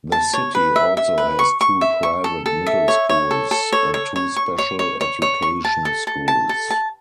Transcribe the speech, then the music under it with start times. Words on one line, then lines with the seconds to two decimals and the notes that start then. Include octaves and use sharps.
The city also has two private middle schools and two special education schools.
0.12 A5
0.33 C#5
0.55 B4
0.76 E5
0.97 E5
1.18 B4
1.39 C#6
1.61 C#6
1.81 E5
2.03 C#6
2.24 A4
2.46 A4
2.66 E5
2.88 C#5
3.09 C#5
3.31 A4
3.51 A4
3.72 C#5
3.94 C#5
4.16 C#5
4.36 C#6
4.58 C#5
4.79 C#5
5.01 C#5
5.22 C#5
5.42 C#6
5.65 A5
5.85 A4
6.07 A4
6.28 A5
6.49 A4
6.70 A5